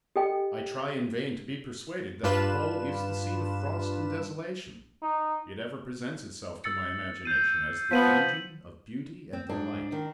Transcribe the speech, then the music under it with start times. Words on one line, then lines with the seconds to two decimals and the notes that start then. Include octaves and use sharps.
I try in vain to be persuaded that the pole is the seat of frost and desolation; it ever presents itself to my imagination as the region of beauty and delight.
0.16 G4 A4 D#5 G5 G#5
2.23 G2 D4 F4 B4 E7
5.02 D#4
6.64 E6 A6 C#7
7.25 G6 C7 D#7
7.91 F3 B3 B6 D#7 F#7
9.33 C4
9.49 G#2 D4
9.92 D#3